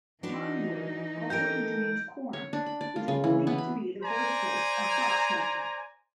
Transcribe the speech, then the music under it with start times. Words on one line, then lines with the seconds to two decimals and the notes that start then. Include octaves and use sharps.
Charnwood also contains Quorn, which is believed to be the birthplace of fox-hunting.
0.23 E3 D4 D#4 F#4 B4
1.30 G4 A4 A#4 G6 D7
2.33 C#5
2.53 D4
2.66 B5
2.81 D5
2.96 F4
3.08 C#3
3.24 E3
3.47 B3
3.58 B5
4.03 C5 D5 G#5 A#5